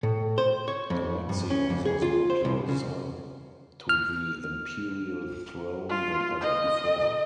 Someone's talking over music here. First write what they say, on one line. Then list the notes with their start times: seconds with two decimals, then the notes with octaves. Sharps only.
Alexios was now closer to the imperial throne than ever before.
0.03 A2
0.38 C5
0.68 C#5
0.90 F2
1.29 G2
1.50 C#4
1.70 F2
1.85 G#4
2.02 F4
2.30 C5
2.45 C2
2.68 C#3
3.89 F6
5.90 F4
6.41 D#5